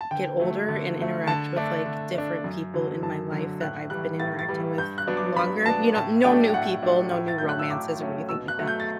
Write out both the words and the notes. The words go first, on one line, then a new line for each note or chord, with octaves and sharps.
get older and interact with, like, different people in my life that I've been interacting with longer, you know no new people, no new romances or anything like that.
A5
D3 G5
F#3 A3
D3
F#3 A3
D3 A5
A3 D4
D3
A3 D4
F#2
D3 F#3
F#2 A5
D3 F#3
A2 F#6
E3 G3 F#6
A2 A6
A6
E3 G3
G2 G6
F#6
F#3 B3 D4
D6
G2 B5
F#3 B3 D4 A5
A2 A5
F#3 A3 D4 G5
G5
A2 F#5
F#3 A3 D4
A2
A6
F#3 A3 C#4 G6
F#6
E6
A2 D6
F#3 A3 C#4
B2 E6
F#6
F#3 A3
G6
A6